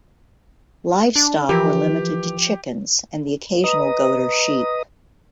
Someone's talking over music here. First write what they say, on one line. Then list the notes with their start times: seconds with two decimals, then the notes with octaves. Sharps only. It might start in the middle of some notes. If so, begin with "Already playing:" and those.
Livestock were limited to chickens and the occasional goat or sheep.
1.16 D4
1.49 E3 F3 G4 A#4
3.64 B4 D#5 A#5 D#6